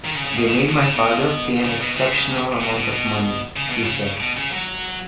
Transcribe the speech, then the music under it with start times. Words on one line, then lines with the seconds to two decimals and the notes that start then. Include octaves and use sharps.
"They made my father pay an exceptional amount of money", he said.
0.05 D#3
0.15 C#3
0.26 C#3
0.36 B2
0.47 C#3
0.69 B2
0.81 C#3
0.95 B2
1.65 C#3
1.80 B2
1.97 C#3
2.60 B2
2.76 B2
2.92 B2
3.56 C#3
3.70 B2
3.83 C#3
4.20 B2
4.36 C#3
4.52 F#3